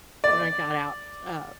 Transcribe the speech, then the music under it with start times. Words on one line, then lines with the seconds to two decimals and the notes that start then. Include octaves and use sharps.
Then I got out, uh,
0.24 D5